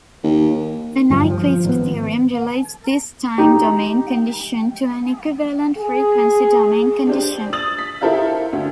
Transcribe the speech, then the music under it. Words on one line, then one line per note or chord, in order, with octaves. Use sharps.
The Nyquist theorem relates this time-domain condition to an equivalent frequency-domain condition.
D#2
G1 G2 F3
F3
G#1 B3
D#4 G4
G#4
D4 G4 C5
D#6 A6 F#7
B6
E4 G4 A4 A#4 C5 F5
D2